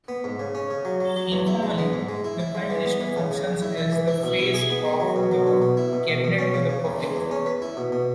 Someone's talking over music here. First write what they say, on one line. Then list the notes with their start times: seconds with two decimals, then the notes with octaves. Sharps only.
Informally the Prime Minister functions as the "face" of the cabinet to the public.
0.08 B3
0.24 G#2
0.40 C#3
0.55 C#4
0.71 C#3
0.85 F#3
1.00 F#3
1.16 F#3
1.32 E2
1.47 E4
1.63 G#3
1.78 B3
1.93 G#2
2.09 G#3
2.24 E4
2.39 E4
2.55 G#3
2.70 E3
2.86 B3
3.01 E3
3.16 C#3
3.31 C#3
3.47 C#3
3.62 E4
3.77 E4
3.93 E3
4.08 E4
4.23 B2
4.39 E4
4.54 G#4
4.70 B3
4.85 G#3
5.00 F#3
5.16 B2
5.31 F#3
5.47 B2
5.62 B2
5.77 E4
5.93 B2
6.08 B2
6.24 B2
6.39 C#4
6.54 C#3
6.69 C#3
6.85 E2
7.00 G#3
7.16 E2
7.31 C#4
7.46 B4
7.62 E4
7.77 B2
7.92 B2